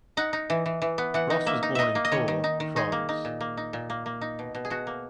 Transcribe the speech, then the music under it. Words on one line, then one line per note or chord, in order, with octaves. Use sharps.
Ross was born in Tours, France.
D#4 F#5
D#4
E3
E3
E3
B3
E3 F#5
D#4
A#3 E5
D#4
D#4 D#5 E5
A#3
D#5
D#3 C#5
D#3
D#4
D#3
D#4 G#4
A#3
D#4
A#2
A#3
D#4
A#2
A#3
A#3
D#4
B2
B2
G#4
B2 F#4
A#3